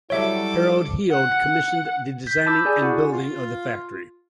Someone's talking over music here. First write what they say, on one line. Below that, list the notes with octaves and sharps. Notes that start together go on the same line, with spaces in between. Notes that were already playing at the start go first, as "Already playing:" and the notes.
Harold Heal commissioned the designing and building of the factory.
F#3 G3 E4 A4 C#5 E5 D6
F#5
G6 B6
A5 B5 D6 E6 G6 A6
G#4 D5 G#5
E4 F#4 F#5
F4